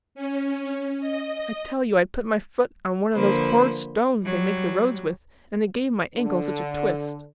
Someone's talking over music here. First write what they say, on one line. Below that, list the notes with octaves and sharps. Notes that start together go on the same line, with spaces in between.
"I tell you I put my foot on one of those horrid stones they make the roads with, and it gave my ankle such a twist."
C#4
D#5
D3 F3 A#3 B4 C5
F#3 G3
D3